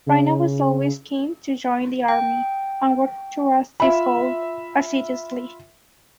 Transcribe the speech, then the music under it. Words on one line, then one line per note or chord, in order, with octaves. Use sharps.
Raina was always keen to join the Army and worked towards this goal assiduously.
C#3
G5
F4 E5 B5